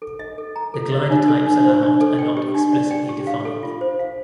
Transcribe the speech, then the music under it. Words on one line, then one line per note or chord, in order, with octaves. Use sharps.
The glider types allowed are not explicitly defined.
A4
D#5
A4
A#5
A4
D#5
D4
A4
D4
C5
D4
A4
G5
G4
D4
D5
G5
G4
F5
A4
F4
C5
F5